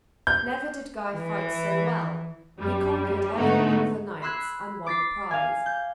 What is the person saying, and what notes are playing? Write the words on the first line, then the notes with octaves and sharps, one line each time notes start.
Never did Guy fight so well; he conquered every one of the knights, and won the prize.
G6
E3
F#2 G3
G#2 D3 A3 B3 D#4 F#4
B5 C6 E6 F#6 G#6 B6
D6 A6 B6 C7
F5 G#5
G6